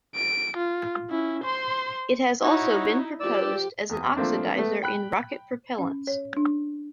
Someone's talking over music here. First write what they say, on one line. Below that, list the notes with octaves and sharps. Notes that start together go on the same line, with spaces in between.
It has also been proposed as an oxidizer in rocket propellants.
D7
F4
C#4 E4
C5 C6
D#4 E4 F#4 C#5
F3 G4 D5 E6
E2 D#6
F3 A3 A#3 C4 D4
A3 B3
G5 B5 F#6
C#4
C#5
D4